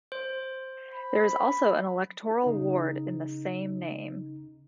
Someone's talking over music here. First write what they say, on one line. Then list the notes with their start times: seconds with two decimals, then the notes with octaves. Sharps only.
There is also an electoral ward in the same name.
0.12 C5
0.94 B5
2.44 C#3 D#4